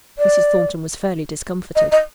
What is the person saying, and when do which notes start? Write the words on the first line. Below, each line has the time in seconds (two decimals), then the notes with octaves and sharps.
Mrs. Thornton was fairly discomfited.
0.19 D5
1.76 D#5
1.92 D#5